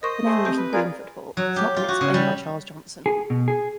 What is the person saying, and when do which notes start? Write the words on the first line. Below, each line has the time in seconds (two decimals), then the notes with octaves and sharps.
The name "Little Green Footballs" has not been explained by Charles Johnson.
0.03 A#4 C5 D#5 C#6
0.26 A3 G#4 C5
0.45 C4 G4 G6
0.57 B4
0.73 F4 G#4 A#4 D5
1.37 F#3
1.56 G4
1.76 F4
1.88 F#4
2.01 C#3
2.14 G3
3.06 G#4
3.30 B2
3.48 G#4